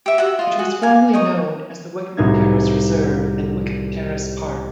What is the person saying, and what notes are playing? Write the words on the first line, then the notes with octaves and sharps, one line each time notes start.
It was formerly known as the Wickham Terrace Reserve and Wickham Terrace Park.
G4 E5
F#4 E5 F#5
F4 D#5
F#4 G#4
F5 G#5
D#4 D#5 C#6
C2 A2 D#4 F#4 G#6